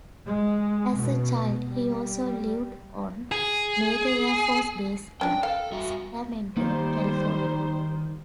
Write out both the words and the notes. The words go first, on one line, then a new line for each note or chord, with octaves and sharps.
As a child he also lived on Mather Air Force Base in Sacramento, California.
G#3
B2
G3
G#4
C#4 D4 G5
A4 F5
G3 F#4 E5
D#3 G3 A#3 D#4 C5